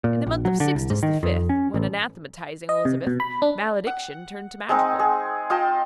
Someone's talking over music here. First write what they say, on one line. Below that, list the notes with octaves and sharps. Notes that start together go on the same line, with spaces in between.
In the mouth of Sixtus V., when anathematizing Elizabeth, malediction turned to madrigal.
A#2
A#1
F#3
D3
C2
G#2
D#3
F2
C#4
A1
D#5
C3
B2
B5
D4
F#5
G#3 C4 D#4
G#4
F4 D#5 G5 A5